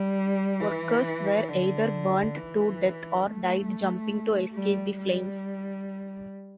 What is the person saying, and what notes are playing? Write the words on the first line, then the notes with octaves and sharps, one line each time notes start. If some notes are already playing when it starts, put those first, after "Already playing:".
Workers were either burned to death or died jumping to escape the flames.
Already playing: G3
E3
D3
E3
A3
G3
G3